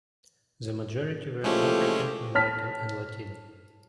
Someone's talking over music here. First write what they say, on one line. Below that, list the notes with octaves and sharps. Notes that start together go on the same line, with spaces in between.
The majority were African American and Latino.
A#2 E3 F3 G#3 A3 C#4 G4 A4
C#5 A5 F6 B6